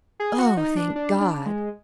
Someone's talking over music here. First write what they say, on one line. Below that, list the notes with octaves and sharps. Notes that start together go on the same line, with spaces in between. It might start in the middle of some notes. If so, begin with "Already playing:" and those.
Oh, thank God!
G#4
F#4
D#4
D4
D4
D4
G#3